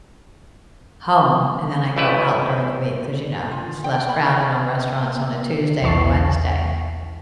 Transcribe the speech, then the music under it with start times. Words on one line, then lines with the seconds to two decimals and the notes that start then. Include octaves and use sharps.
home, and then I go out during the week 'cause, you know, it's less crowded on restaurants on a Tuesday and a Wednesday.
1.96 B1 E3 A3 E4 B4
3.32 D4
3.51 F4
3.84 G5
4.09 B5
4.24 E4
4.40 C#4
5.82 B1 E2 E3 A5 C#6 C7